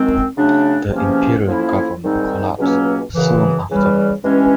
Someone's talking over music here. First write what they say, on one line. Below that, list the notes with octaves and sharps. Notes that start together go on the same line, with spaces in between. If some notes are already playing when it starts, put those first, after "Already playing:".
The imperial government collapsed soon after.
Already playing: F#2 D#3 G#3 C4
C#3 F#3 A3 D4
E2 C3 F3 A#3 C#4
A2 F3 A#3 C#4 E4
G#2 D#3 G3 C4 D#4
C#2 B2 F#3 A#3 C#4
F#2 C#3 E3
E2 C#3 E3 G3
G2 E3 G#3 C#4